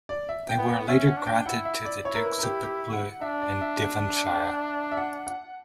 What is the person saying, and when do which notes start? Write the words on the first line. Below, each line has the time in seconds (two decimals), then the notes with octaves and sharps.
Later they were granted to the dukes of Buccleuch and Devonshire.
0.09 D5
0.29 E5
0.49 G5
0.58 B3
0.68 F#5
0.88 C#4 E5
1.07 F#5
1.17 D4
1.27 G5
1.46 E4 F#5
1.65 E5
1.85 D5
2.05 E4 C#5
2.15 A#4
2.24 B4
2.38 A#4
2.43 G4
2.63 G4
2.93 F#5
3.21 D4 E5
3.42 D5
3.61 E5
4.91 E5
4.97 F#5
5.27 F#5